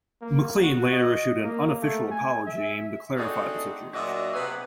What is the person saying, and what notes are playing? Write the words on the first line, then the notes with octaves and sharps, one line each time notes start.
MacLean later issued an unofficial apology aimed to clarify the situation.
A#3
F#4
D#5
A#3
A3
G#5
E5
A3 C4 D4 D#4 F#4 G#4
A#2 F#3 D4 F#4 D#5 E5
C3 B3 G4 G#4 B4